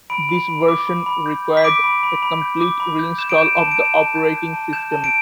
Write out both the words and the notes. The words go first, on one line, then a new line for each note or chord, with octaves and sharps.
This version required a complete reinstall of the operating system.
B5 D7
B5
B5
D6
B5
B5
G6
B5
B6
D6 D7
B5
B5
B5
G6
D6
B5
G6
G6 E7
D7
G6 E7
A5 E7
D7
G6
E7
A5
G6
G6
A5
G6 E7
A5
D7